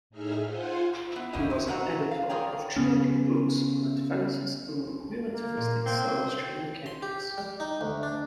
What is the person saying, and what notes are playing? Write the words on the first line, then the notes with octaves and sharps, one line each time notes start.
He was an editor of two other books on advances in relativistic celestial mechanics.
A2 D#4 G#4 E5 F6
F4 C5 F#5 G#5
B3 E4
A#3 C#4 E4 G4 D#5
E4 G4
A#2 F#4 B4 D#5 F#5 A#5
F5
G#4 A#4 C#5 D5 G5 A#5
C#3 B3 C#4
A#3
A#2
C3 C4
C6
G4
G3
D#4
D2
D4